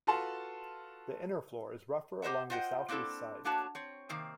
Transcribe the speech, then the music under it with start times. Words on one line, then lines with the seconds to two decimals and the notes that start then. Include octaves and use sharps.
The inner floor is rougher along the southeast side.
0.07 F4 F#4 A4 B4 A5 C6
2.22 G4 C5 D#5 E5 F#5
2.50 F4 C5 D#5 F#5 G5
2.89 A#3 C4 D4 E4 A4
3.44 A3 A#3 D4 F#4 C#5 A5
3.75 C4 C#5
4.09 C3 D#3 A#3 C4